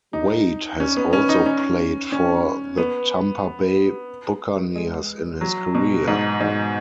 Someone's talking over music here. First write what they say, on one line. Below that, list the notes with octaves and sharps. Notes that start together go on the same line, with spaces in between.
Wade has also played for the Tampa Bay Buccaneers in his career.
D#4
C#4
B3
C#4
D#4
C#4
C#4
B3
G#3
F#3
B2
G#2
G#2